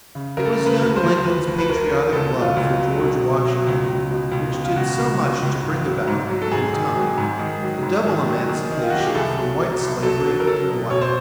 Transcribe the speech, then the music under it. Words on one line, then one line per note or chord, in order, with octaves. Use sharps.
It was young Lincoln's patriotic love for George Washington which did so much to bring about, in time, a double emancipation from white slavery and black.
C#3
C#3 A#4
A4
A#4
C#3
B4
D2
C5
D2
F3 B4
D2
B4
D2 A#4
D2
C#2 A4
F#3
F4
C#2
F#3
B2
B2
F#3
C#2
C#2
B2
C#2
B2
F4
C#2 F#4
C#2
C#2
C#2
G#2
F#3
G#2
F#3
A4
G#2 G#4
D#3
F#3
G#2
D#3
F#3
G#2
D#3
F#3
D#3
D#3
F4
F#3 F#4
G4
G#4
C2 A4
F#3
F#3
C2
F#3 A4
F#3
A#4
F#3 A4
B2
B2 C#5
C5